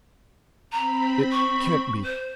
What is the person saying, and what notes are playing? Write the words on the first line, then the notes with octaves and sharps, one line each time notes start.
It can't be.
C4 A#5 B5
C#6
C5